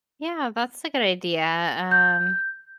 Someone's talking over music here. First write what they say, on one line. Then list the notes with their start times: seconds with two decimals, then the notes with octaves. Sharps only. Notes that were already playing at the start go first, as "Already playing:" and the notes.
Yeah, that's a good idea. Um,
1.91 G6